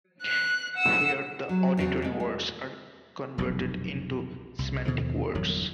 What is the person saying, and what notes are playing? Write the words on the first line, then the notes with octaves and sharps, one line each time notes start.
Here the auditory words are converted into semantic words.
F#6
F#5 E6
F#3
E2 C#3 C4 F#4 F5
G#3 A4
G#3
F1 B1 F#2 C3
C2
D#2 B2 D3 F3
G1 E2 F#3